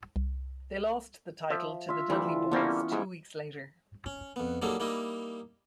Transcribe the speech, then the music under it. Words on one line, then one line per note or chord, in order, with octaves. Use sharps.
They lost the title to the Dudley Boyz two weeks later.
C2
F3 E5
F4 E5
D2 E3 G3
D3 G3 A#3 B3 C#4
G#2 G3 B3 E4
C#4
F2 B3
F#3 G3 A#3 D#4 G#4 A4
G3 A#3 D#4 E4 D#5